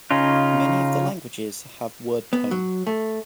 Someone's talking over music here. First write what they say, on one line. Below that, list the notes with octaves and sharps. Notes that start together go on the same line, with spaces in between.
Many of the languages have word tone.
C#3 C#4 D#4 F4
B3
F#3
A3